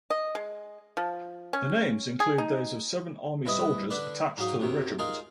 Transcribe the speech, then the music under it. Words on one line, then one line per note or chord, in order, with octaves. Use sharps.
The names include those of seven Army soldiers attached to the regiment.
D#5
G#3
F3
C#4
G#4
D#4
C2 E4 B4 D#5 D#6
D3 D4 B4 D5
G#2 F#3 F5 D#6
F#2 C3 D#3
G#3 D#4 F4 G#4 A#4